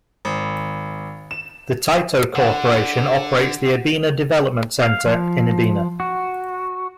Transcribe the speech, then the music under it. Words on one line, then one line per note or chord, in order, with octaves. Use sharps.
The Taito Corporation operates the Ebina Development Center in Ebina.
G#1
E7
D3 F#5
F5
F3
F#4